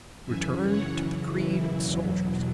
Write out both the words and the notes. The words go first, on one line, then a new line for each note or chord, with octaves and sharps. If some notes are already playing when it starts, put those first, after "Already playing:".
He returned to the creed of soldiers.
F#2 C#3 E3 E5 G#5
C#5 F#5
E4
E2 B2 F#3